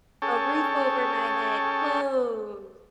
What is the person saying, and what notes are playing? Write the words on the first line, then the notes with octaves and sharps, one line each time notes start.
a roof over my head, clothes.
C#4 G#4 A4 C#5 G5 A5